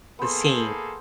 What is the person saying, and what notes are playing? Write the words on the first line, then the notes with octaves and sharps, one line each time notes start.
the same
A#3 B3 G#4 A4 C5